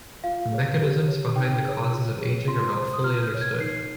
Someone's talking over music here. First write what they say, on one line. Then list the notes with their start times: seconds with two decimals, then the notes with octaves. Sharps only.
The mechanisms behind the causes of ageing are not fully understood.
0.24 F4 F5
0.52 G#4 C#5
0.80 G4
1.08 C#5
1.35 D#4 G5
1.63 G#4 C#5
1.91 F4
2.20 G#4 C#5
2.47 F4 C6
2.76 C5
2.94 D#6
3.04 F4 F6
3.23 G6
3.32 A#4 C#5
3.41 G#6
3.60 D#4 C7